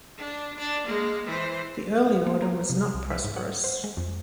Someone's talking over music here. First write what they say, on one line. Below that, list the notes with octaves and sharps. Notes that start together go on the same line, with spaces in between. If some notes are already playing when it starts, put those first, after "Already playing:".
The early order was not prosperous.
D4
D4 D5
G#3 A#3
E3 C5
A#3
A#5
C3
C2
B6
G#2
F#5
C5
G#3
F2